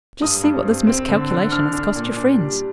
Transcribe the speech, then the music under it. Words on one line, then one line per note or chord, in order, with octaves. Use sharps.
Just see what this miscalculation has cost your friends!'
G2 D#6
G2
C4
C4
D3
D3
D4 F6
D4
A#2
D4
G3